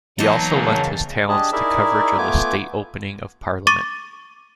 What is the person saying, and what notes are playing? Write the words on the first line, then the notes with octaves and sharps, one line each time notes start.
He also lent his talents to coverage of the State Opening of Parliament.
E2 F#3 A#3 D#4 D#5 A5
C#3 G#4 A#4
D4 G4 G#4 D#5 A5
D#4 E4 G#4 A#4 D5 E5
A3 B3 F4 G#5 D6
C#6 D6 A6 D#7